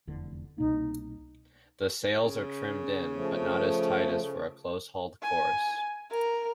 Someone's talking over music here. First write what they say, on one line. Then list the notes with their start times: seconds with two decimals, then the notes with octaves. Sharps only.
The sails are trimmed in, but not as tight as for a close-hauled course.
0.07 F1 E2 D3
0.58 C2 B2 A#3 D#4
2.23 C#3
3.15 F3 A3
5.22 G#5
6.11 A#4